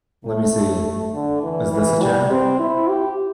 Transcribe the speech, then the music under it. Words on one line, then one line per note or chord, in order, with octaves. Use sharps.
Let me see, is this a chair?
A3
D3
E3
E3
G3
C4
E4
G4